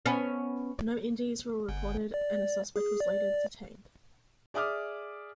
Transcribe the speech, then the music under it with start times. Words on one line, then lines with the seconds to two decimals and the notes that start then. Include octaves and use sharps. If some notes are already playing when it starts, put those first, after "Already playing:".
No injuries were reported, and a suspect was later detained.
0.06 B3 C#4
1.69 G1
2.14 D5
2.76 G#4
3.00 D5
4.54 G#4 D5 E5 D6 D#6 F6